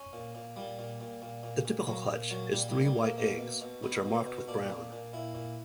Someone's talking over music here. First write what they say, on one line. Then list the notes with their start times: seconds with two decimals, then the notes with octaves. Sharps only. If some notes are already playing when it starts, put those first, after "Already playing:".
The typical clutch is three white eggs, which are marked with brown.
Already playing: C#4
0.13 A#2
0.35 A#2
0.56 A#2 G3
0.79 A#2
1.01 A#2
1.22 A#2
1.43 A#2
1.65 A#2
1.87 A#2 F#3
2.09 A#2
2.31 A#2 F#3
2.52 A#2 G3
2.69 G3
2.74 A#2
2.85 G3
2.96 A#2
3.01 A#3
3.17 B2 A#3
3.39 B2
3.61 B2
3.83 B2 B3
4.05 B2
4.27 B2
4.48 A#2 D4
4.70 A#2
4.92 A#2
5.13 A#2 E4
5.35 A#2